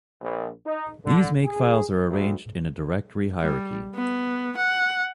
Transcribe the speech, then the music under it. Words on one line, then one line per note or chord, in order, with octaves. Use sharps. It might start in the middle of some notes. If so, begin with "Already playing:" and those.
These Makefiles are arranged in a directory hierarchy.
A#1
D#4
D3
G#4
D2
G3
B3
F#5